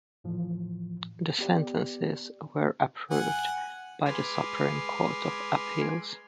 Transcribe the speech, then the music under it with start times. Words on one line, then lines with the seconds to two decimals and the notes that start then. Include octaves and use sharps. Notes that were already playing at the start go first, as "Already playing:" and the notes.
The sentences were approved by the Supreme Court of Appeals.
0.24 E2 A2 E3 F3
1.39 B3 G4 D5
3.11 F#5 G#5
4.06 G#3 B4 G#5 C6 D6 F6